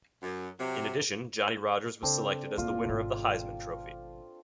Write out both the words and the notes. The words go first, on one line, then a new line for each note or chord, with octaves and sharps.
In addition, Johnny Rodgers was selected as the winner of the Heisman Trophy.
F#2
C3 F#3 G4
C#3 C4 D4 A4
E1 A#3 F4
G#1 B2